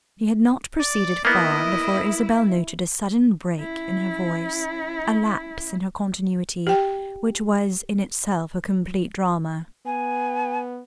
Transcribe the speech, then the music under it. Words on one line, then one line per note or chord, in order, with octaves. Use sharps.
She had not proceeded far before Isabel noted a sudden break in her voice, a lapse in her continuity, which was in itself a complete drama.
D5
A#3 B3 E4 D#5
C#4 E4
G4 G5
B3 G#5